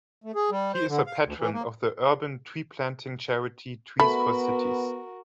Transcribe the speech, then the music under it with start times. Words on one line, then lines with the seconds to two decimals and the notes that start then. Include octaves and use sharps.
He is a patron of the urban tree-planting charity Trees for Cities.
0.24 A3
0.35 G#4
0.51 G3
0.74 C5
0.88 D3
1.07 F5
1.25 D2
1.38 E3
1.54 A#3
4.00 A3 B3 F#4 A#4 B5